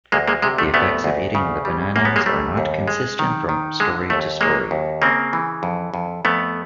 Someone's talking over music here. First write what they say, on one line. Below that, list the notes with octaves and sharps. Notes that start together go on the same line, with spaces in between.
The effects of eating the bananas are not consistent from story to story.
D2 G#3 A#3
G#3 A#3
C3 G#3
A3
D2 A3 B3
D2
C#3
G3
F#2 A#3
B3
G#3 A#3
G3 A3
D#2
G#3
D#3
D#3
D3 G#3
D#2 A3
F#3 G#3 A#3
D#2
C#3 A#3 C4
E3
F2
F2
F2 A3 B3